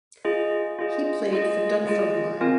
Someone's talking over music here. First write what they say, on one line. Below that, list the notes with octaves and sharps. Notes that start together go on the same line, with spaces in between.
He played for Dunfermline.
F4 G#4 D#5
F4 G#4 D#5
F4 G#4 D#5
F4 G#4 D#5
C4 F4 A#4 G#5